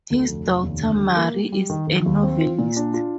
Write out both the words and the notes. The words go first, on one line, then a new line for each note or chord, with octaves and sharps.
His daughter Marie is a novelist.
D2
F1
F1
D#2
D3
G3
A#3
G3
G3
D#3
D#3
D#2
C4
F4
A#2
D4
F4